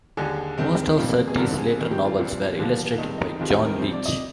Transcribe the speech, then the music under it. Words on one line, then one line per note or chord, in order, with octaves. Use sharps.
Most of Surtees's later novels, were illustrated by John Leech.
D#2 D3 G#3 G#4
G2 D#3 G#3 C4
F2 C3 G3 A#3
G#4
G2 D3 F3 C4 A#4
G#4
F2 D#3 G#3 C4 G#4
G4
F4
C2 A#2 G3 C4
D#2 D3 F3 A#3
G2 D#3 G#3 C4 D#4
D#4
D#2 D#3 G#3 C4 F4
G4
A#4
F2 C3 F3 C4 C5
D5
D#5